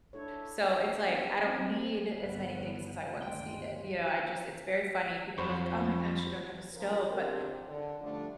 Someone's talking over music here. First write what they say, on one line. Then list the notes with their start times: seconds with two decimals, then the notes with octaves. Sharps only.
so it's, like, I don't need as many things as I once needed, you know? I just it's very funny, people are like, "Oh my gosh, you don't have a stove," but
0.13 D4 E4 A4 C#5
0.59 C4 G#4 C5 D5
1.06 B3 C#4 D4 F#4 A#4
1.44 C4
2.16 G1 B3
3.22 D2 G2 D#3 G#3 A3 D5 G5
5.38 F2 C5 B5 C#6
6.74 C#3 F3 F4 A#4
7.08 E2 A#2 D3 C4 G4 A#4
7.68 D3
8.00 F3 G3 A3 D4